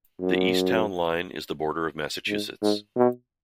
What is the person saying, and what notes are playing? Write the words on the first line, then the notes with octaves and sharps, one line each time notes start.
The east town line is the border of Massachusetts.
F#2
G#2
G#2
B2